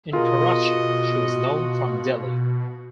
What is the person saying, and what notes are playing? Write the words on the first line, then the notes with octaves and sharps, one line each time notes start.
In Karachi she was known from Delhi.
B2 F4 F#4 G#4 A#4 D#5